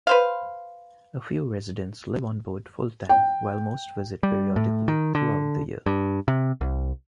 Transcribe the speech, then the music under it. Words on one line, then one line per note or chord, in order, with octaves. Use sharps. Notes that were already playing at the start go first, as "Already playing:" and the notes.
A few residents live on board full-time while most visit periodically throughout the year.
B4 C5 F5
G5
G3
A2
D#3
D3
G2
C3
C2